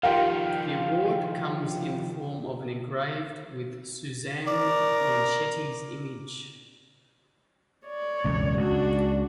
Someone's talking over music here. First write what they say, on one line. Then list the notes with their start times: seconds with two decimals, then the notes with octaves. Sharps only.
The award comes in the form of a engraved with Suzanne Bianchetti's image.
0.03 D#3 F3 F4 G4 A#4 F5
4.47 A#4 D5
7.86 C#5 D5
8.24 E1 C#2 F#2
8.57 C#2 D4 F#4